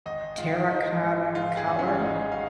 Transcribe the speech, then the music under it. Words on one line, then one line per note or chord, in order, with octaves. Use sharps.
terracotta color,
G#1 D#5
G#2 F4
G#1 D#4
G#2
G#2 F4
G#4
G#1
C#4
G#1 D#4
F5